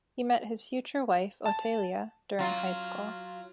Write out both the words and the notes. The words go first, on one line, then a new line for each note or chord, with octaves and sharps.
He met his future wife, Otelia, during high school.
A5
F#3 F4